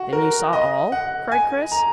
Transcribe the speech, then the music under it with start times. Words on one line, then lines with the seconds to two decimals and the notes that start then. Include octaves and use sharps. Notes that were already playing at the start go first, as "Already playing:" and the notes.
"Then you saw all?" cried Chris.
Already playing: F#4
0.13 A#4
0.53 D#5
0.92 F#5
1.32 G#5
1.72 A#5